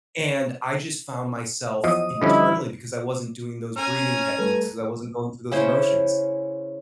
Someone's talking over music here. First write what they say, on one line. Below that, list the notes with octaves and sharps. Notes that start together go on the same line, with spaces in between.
and I just found myself internally because I wasn't doing those breathing techniques, because I wasn't going through those motions.
E2 F3 F#3 D#5 D#6
D3 F3 G3 C#4 E4
C#4 G#5 A#5
G3 A3 A4 B4
C#3 C#4 E4 C5